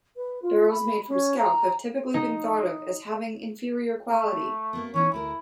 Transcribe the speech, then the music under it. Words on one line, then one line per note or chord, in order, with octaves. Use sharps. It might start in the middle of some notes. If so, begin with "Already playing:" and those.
Barrels made from skelp have typically been thought of as having inferior quality.
B4
F4
B5
C#4
A#5
D#4
A3
F#2 A#3 B3
E3 B3 C#4 D#4
D2 A3 E4 A#4